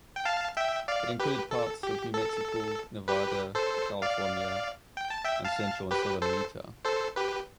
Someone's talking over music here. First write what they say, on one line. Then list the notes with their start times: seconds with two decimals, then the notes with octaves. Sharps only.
It included parts of New Mexico, Nevada, California and central and southern Utah.
0.16 G5
0.25 F5 A5
0.57 E5 G5
0.88 D5 F5
1.19 G4 B4
1.51 A4
1.83 G4
2.14 A4
3.08 G4 B4
3.55 A4 C5
4.02 D5 F5
4.97 G5
5.10 A5
5.24 E5 G5
5.45 F5 A5
5.91 G4 B4
6.22 A4 C5
6.85 A4 C5
7.16 G4 B4